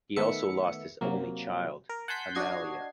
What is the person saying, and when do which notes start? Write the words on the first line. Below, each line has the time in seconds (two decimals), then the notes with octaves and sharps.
He also lost his only child, Amalia.
0.16 D#3 A3 B3 E5 C#7
1.01 C3 F#3 A#3
1.89 A#4
2.08 F#5 G#5 A5 C6 G6 B6
2.35 D4 F#4 D#5 G#6 C7